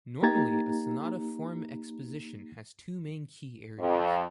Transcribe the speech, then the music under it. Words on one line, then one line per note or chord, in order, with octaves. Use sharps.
Normally, a sonata form exposition has two main key areas.
A#3 D#4 G4 A#5 G#6 A6
F2